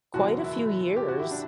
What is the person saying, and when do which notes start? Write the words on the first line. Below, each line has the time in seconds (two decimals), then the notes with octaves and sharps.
quite a few years,
0.14 F#1 E2 B2 F#3 F#4
0.44 E4
0.96 G4
1.08 F#4
1.19 E4
1.31 D4